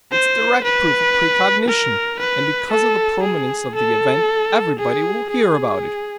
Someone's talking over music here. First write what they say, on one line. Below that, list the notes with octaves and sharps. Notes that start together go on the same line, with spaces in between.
It's direct proof of precognition, and because of the prominence of the event, everybody will hear about it.
C5
B4
A#4
B4
A4
G#4
A4
G#4
G#4